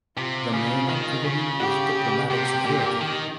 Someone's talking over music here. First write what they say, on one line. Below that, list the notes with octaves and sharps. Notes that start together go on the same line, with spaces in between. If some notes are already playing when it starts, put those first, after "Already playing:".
The main activity is diplomatic security.
C3 F4
C#3
D#3
C#3
G4
C3 G4
A#2
D#3